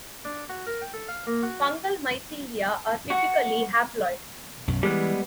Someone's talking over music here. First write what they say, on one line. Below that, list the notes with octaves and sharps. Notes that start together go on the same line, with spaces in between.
Fungal mycelia are typically haploid.
D4
F#4
A#4
G5
A4
F5
A#3
F#4
F#4 F#5 C#6
B1 F#2
E3 G3 G#3 B3